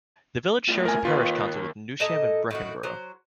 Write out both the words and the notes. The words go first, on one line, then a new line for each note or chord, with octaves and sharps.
The village shares a parish council with Newsham and Breckenbrough.
A2 F4
A#4 G#5
D#2 F4 B4
A#2 A4 D#5 A5
A2 D#3 F#4
F#3 C5